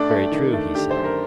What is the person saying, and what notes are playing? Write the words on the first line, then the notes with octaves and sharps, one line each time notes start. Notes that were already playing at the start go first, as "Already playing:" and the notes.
Very true, he said.
Already playing: A1 A3 D4 D5
A3
D#3
A3
D3 G4
C5
F#2
A#4